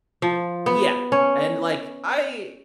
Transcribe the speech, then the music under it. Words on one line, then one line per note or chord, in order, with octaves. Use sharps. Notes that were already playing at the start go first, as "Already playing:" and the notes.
Yeah. And, like, I
F3
B3
C#4